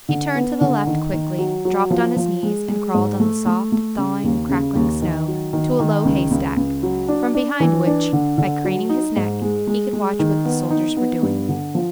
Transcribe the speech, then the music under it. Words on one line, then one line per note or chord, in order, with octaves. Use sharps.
He turned to the left quickly, dropped on his knees, and crawled on the soft, thawing, crackling snow to a low haystack, from behind which, by craning his neck, he could watch what the soldiers were doing.
D3
B3
D3
D#3
D#3
F#3
F#3
F3
F3
G#3
G#3
G#2
A3
A3
A3
C#3
D#2
C#3
D#2
D#3
F#3
D#3
D#3
C#2
C#2
C#2
F#3
D4
D4
E3
D4
D3
D3
F#3
D#4
G#2
G#3
G#3
G#3
D#3
B3
D#4
B3
G2
D3
F3